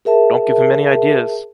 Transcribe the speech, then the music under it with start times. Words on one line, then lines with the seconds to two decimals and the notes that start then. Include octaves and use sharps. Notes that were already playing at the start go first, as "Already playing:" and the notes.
Don't give him any ideas!
0.05 G#4 A#4 E5 A5